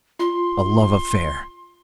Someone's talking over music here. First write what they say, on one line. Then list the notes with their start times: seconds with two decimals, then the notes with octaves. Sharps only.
A love affair!
0.19 F4 C6